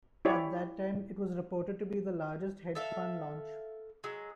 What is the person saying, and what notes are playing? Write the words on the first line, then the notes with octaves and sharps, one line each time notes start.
At that time, it was reported to be the largest hedge fund launch.
E4 G4 C#5 D5
A4 E5 F5
F#3 G#3